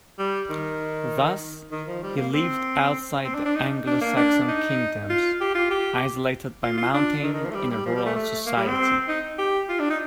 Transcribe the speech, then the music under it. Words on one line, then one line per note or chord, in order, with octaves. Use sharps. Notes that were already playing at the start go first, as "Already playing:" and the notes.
Thus, he lived outside the Anglo-Saxon kingdoms, isolated by mountains in a rural society.
G3
D#3
D#3
F3
G3
A#3
C4
C4
D4
D4
D#4
D4
A#3
D4
D#4
F4
G4
F4
G4
F4
F4
D4
D#3
D#3
F3
A3
G3
G3
F3
G3
A3
A3
A#3
G3
C4
D#4
G4
F4
D4
D#4